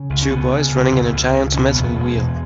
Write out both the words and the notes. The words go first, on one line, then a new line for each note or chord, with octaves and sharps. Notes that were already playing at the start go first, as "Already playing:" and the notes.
Two boys running in a giant metal wheel.
Already playing: C#3
C#2
C#4
C#2 B3
C#3
C#2
C#2
C#2
C#3
B2 C#4
E2 B3
B3
B2
G#3
E2